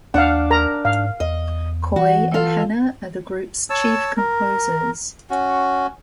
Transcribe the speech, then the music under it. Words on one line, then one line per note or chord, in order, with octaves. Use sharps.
Coy and Hannah are the group's chief composers.
D#2 D4 D5 F5 F#5
A#4 A#5
G#2 F5
E2 D#5
E3 F#4
F4 A4 F5
C#5 A5 E6
A#4
C#4 F#4